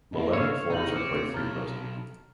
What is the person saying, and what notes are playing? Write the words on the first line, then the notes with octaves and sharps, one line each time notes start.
Melanic forms are quite frequent.
C2 A#3 D#5
C#5 F5 E6 E7
C3 D#4 A#5 G6 F#7
C4 D6 C#7
B1 A4 A#5 F6 A6